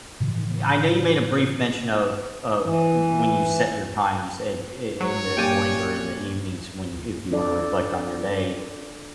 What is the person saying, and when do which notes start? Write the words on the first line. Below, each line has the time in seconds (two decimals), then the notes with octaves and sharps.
Yo I know you made a brief mention of of w when you set your time. You said i in the mornings or in the evenings, when you if you wanna reflect on your day.
0.20 A2 C#3 E3 F3
2.65 E3
5.00 F#3 C#5
5.37 A#2 G4 G5 G#5 D6 A6
7.31 D4 F4 A4 D5